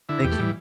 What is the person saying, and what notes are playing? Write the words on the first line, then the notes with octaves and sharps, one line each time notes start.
Thank you.
D3 E4
E2 G4
A3
E3 G3